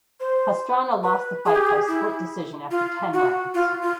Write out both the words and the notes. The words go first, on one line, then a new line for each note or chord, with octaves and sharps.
Pastrana lost the fight by split decision after ten rounds.
C5
B4
G#4
G4
G#4
E4
F4
F#4
F4
F4